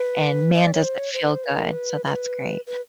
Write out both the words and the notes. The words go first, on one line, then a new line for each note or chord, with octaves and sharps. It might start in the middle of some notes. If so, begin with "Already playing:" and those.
and man, does it feel good, so that's great.
Already playing: B4
D#5
D5
C#5
C5
C#5
C5
B4
C5
B4
A#4
B4
B4
B4